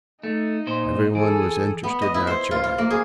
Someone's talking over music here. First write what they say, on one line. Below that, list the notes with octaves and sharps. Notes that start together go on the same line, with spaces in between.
Everyone was interested naturally.
A3 D#4
A#2 C5
E3 G#4 A4
B3
D#5
E4
C5
F4
F4
A#3
G#4